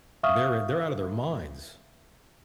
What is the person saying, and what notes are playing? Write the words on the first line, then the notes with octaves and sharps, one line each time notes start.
They're in they're out of their minds.
E5 F5 C#6 D#6 F6